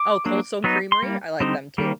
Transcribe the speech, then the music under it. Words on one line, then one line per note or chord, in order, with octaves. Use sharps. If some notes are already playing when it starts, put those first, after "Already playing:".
Oh, Cold Stone Creamery? I like them too.
Already playing: D6
F#3 A#3 D4
F#3 B3 D#4
C6
G3 A#3
D3 G3 C4 D#4
D#3 G3 A#3